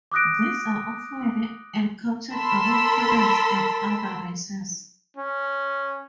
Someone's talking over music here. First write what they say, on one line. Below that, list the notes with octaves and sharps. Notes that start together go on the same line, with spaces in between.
These are often encountered among humans and other races.
D6 D#6 F#6 A#6 D7
A4 A#4 B5 C6 E6 B6
C#4